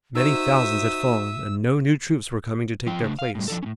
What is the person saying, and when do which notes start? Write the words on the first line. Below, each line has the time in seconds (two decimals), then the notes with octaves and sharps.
Many thousands had fallen, and no new troops were coming to take their place.
0.15 D#4 F#4 C5 E5 D#6 E6
2.86 F3 F4 G5
3.02 C#3 A3 D4
3.19 F5
3.35 A2 G3
3.48 F3 D4 A4
3.63 A2 C#4